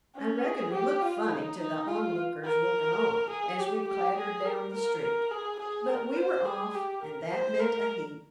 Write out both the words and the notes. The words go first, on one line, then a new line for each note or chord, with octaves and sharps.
I reckon we looked funny to the "onlookers looking on" as we clattered down the street; but we were off and that meant a heap.
C#4
G#4
G4
F4
D#4
D#4
F4
A#4
G#4
G4
G4
G#4
A#4
A#4
A#4
G#4
G#4
A#4
C5
G#4
G4
A#4
C5
A#4